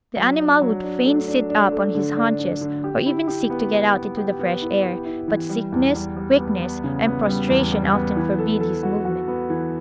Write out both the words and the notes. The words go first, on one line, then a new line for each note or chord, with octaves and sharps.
The animal would fain sit up on his haunches, or even seek to get out into the fresh air, but sickness, weakness, and prostration often forbid his movements.
F#3
D4
F#3
D4
A3
D4
D4
A3
D3
D4
D4
D3
G4
E4
G4
B3
G4
B3
G4
B3
E4
G4
E4
E3
G3
E2
G3
G3
B3
B3
C#3
B3
G3
E2
G3
B3
E3
A4
A4
F#4
F#4
B3
E3